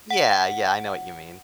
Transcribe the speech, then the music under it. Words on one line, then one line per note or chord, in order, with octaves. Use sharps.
Yeah, yeah, I know what you mean.
F#5